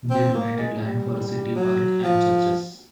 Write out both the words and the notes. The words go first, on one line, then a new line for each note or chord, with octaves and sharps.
They donated land for a city park and churches.
C4
A#3
G#3
G3
F#3
F3